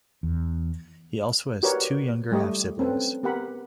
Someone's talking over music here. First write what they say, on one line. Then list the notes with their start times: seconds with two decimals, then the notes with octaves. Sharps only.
He also has two younger half-siblings.
0.23 E2
1.63 F#4 G4 A#4 B4 C#5 D5
2.32 G3 A3 G4 D#5
2.79 C4 C#4 A4 B4
3.23 B3 G4 A#4 F#5 B5